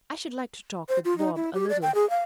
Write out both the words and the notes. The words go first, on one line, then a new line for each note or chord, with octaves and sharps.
"I should like to talk with Bob a little."
C5
F4
D#4
E4
G4
D5
G5
G#4
F5